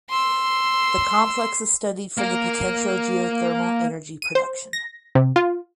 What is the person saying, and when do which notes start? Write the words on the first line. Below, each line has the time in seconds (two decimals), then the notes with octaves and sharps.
The complex is studied for the potential of geothermal energy production.
0.10 C6 E6
2.18 A#3 A#4
4.22 D#7
4.35 C5
4.73 A#6
5.15 C3
5.36 F4